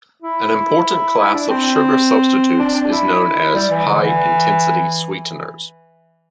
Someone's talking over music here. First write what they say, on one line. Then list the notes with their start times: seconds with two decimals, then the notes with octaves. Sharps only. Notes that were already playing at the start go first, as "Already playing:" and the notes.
An important class of sugar substitutes is known as high-intensity sweeteners.
0.23 E4
1.18 E4
1.34 D4
1.49 C4
2.59 D4
2.75 D4
2.92 E4
3.55 G3
3.70 E3
3.86 D3
4.02 E3